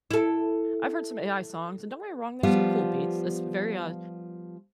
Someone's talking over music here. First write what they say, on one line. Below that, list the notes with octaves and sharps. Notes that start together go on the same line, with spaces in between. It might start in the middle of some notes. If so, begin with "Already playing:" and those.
I've heard some AI songs, and don't get me wrong, there's some cool beats, esp very, uh,
E4 A4
F3 G3 B3 F4